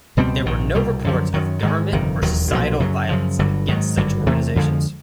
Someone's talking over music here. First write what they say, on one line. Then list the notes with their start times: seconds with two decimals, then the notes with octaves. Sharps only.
There were no reports of government or societal violence against such organizations.
0.17 C#2 B2 G3 C4
0.46 A#1 G#2 D#3
0.75 C2 B2 G3
1.04 F#2 D3 F3
1.34 F#2 D#3 F#3
1.63 G#2 D#3 G#3
1.92 G1 F2 C3 D#3
2.22 E1 D#2 D#3 F#3
2.51 B1 A#2 F3
2.80 F#2 C#3 F#3
3.09 F#2 C#3 F3
3.39 G1 G2 D3 F#3
3.68 G#2 D#3 F#3
3.97 G#1 G2 D3 F#3
4.26 E2 C3 E3 A3
4.56 F2 D3 F3 G#3